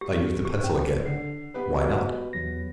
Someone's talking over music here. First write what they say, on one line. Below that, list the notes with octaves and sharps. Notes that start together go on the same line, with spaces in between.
I used the pencil again: "Why not?"
G4
G4
C#4
D3 C7
B3 G4 B4
F#4 D#5
E2 F#3 A#6